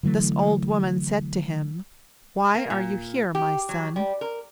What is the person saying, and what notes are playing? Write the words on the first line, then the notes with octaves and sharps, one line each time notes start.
This old woman said to him, "Why are you here, my son?"
D3 E3 F#3 A3
A#3
A#2
G4
F#3
G3
A#4